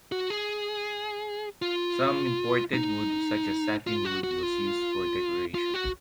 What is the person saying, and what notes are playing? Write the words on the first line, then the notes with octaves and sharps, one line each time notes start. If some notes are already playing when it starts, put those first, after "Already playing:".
Some imported wood such as satinwood was used for decoration.
F#4
G#4
F4
D#4
F4
F#4
F#4
F4
F4
F#4